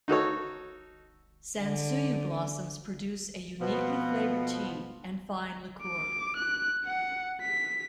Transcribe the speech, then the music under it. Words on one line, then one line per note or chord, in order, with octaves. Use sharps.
Sansuyu blossoms produce a uniquely favored tea and fine liquor.
D#4 F#4 A4 C#5
D3
B2 F3 B3
D6
F#6
F#5
B6